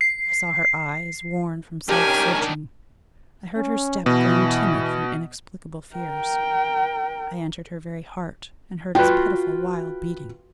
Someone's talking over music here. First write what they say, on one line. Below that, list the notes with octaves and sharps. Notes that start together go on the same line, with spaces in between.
I saw her eyes, worn from self-searching; I heard her step grown timid from inexplicable fears; I entered her very heart and heard its pitiful, wild beating.
C7
D#3 C#4 D4 G4 A#4 G#5
C#4
B2 E3
A#4 G5
F4 F#4 B4 G5